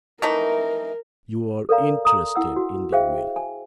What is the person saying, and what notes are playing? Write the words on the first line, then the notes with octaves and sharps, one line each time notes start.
"You are interested in the will."
E3 A3 D#4 A#4
A4 A#4 D5 F5 A#5
A#5 D#6
E4 F#5 E6
F#4
G#4 C5 E5 F5 G5
G#5